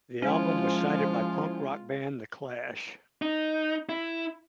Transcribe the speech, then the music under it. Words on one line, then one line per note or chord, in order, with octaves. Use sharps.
The album was cited by punk rock band The Clash.
F3 G#3 C#4 E4 F4 C5 G#5
D#4
E4